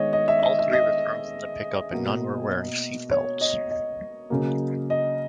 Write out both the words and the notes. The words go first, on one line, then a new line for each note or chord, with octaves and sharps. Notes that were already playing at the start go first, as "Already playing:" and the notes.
All three were thrown from the pickup and none were wearing seatbelts.
Already playing: D#3 G#3 B3 C#5 D#5
D#5
E5
D#5
E5
D#5
B2 A#3
C#5
D#5
D#5
C#3 F#3 A#3
D#5